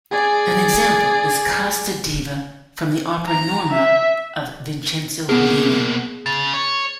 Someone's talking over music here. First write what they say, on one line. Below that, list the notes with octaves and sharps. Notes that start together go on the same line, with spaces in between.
An example is "Casta diva" from the opera "Norma" of Vincenzo Bellini.
G#4 D5
A#5
E5
B2 A#3 B3 G#4
C#3 A6
C#5